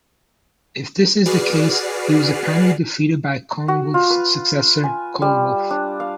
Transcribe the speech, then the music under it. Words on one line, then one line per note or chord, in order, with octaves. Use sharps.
If this is the case, he was apparently defeated by Coenwulf's successor Ceolwulf.
F#4 G#4 B4 D5 F6 C7
F#4
F4
B4
G#5
G3
D4
F5